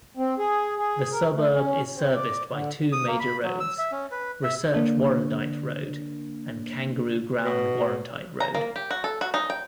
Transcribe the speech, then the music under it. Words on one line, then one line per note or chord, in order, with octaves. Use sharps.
The suburb is serviced by two major roads; Research-Warrandyte Road and Kangaroo Ground-Warrandyte Road.
C4
G#4
G#4
A#4
A3
C#4
C4
D5
D3
D#6
A#3
B5
F#3
E6
E5
C#4
B4
E5
D3 A#3 D4
B2
A#5
A#3
G4
F#4
A4
F#4
D#4
G5